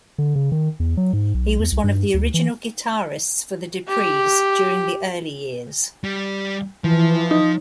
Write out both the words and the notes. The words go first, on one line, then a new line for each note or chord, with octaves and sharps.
He was one of the original guitarists for the Duprees during the early years.
D3
C#3
D#3
E2
F#3
G#2
B1
E2
C2
G2
D2
E3
G4
G3
E3 F3
D#4